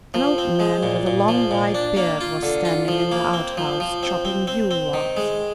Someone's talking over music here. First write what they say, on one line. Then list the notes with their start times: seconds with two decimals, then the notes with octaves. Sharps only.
An old man with a long white beard was standing in the outhouse, chopping Yule logs.
0.14 F3
0.38 C4
0.60 G#3
0.83 A#2
1.07 A#2
1.28 F3
1.51 A#2
1.75 D4
1.97 A#3
2.21 F4
2.43 D3
2.65 F4
2.88 F3
3.12 A#3
3.33 C4
3.57 F3
3.80 F3
4.03 C4
4.25 C4
4.47 C4
4.71 C4
4.93 D#3
5.17 G#3